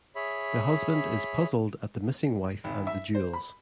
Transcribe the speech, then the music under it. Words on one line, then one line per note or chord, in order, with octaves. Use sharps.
The husband is puzzled at the missing wife and the jewels.
G#4 C#5 E5 B5
G#1
E5
C5
B5